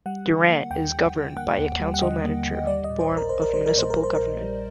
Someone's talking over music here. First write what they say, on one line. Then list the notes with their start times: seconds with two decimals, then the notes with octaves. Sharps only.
Durant is governed by a council-manager form of municipal government.
0.06 G3 F#5
0.27 D3
0.50 A#3
0.70 D#2 G5
0.93 G3
1.15 D3
1.37 A#3 F#5
1.58 D#2
1.79 G3
1.94 F#5
2.01 D3 D#5
2.24 A#3
2.45 D#2
2.67 G3 D5
2.84 D#5
2.90 A#2
3.00 C5
3.10 A#1
3.17 A#4
3.29 A#1 C5
3.42 A#4
3.54 G3 C5
3.66 A#4
3.76 A#2 C5
3.90 A#4
3.99 A#1 C5
4.15 A#4
4.20 A#1
4.42 G3